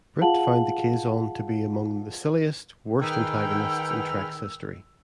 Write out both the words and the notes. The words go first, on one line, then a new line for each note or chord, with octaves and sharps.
Britt found the Kazon to be among "the silliest, worst antagonists in Trek's history".
F4 G#4 F5 F#5 A5 F#7
D#3 G#4 B4 G5 E6 F6